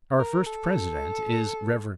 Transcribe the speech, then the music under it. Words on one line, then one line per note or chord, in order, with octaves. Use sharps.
Our first president is Rev.
A#4
A4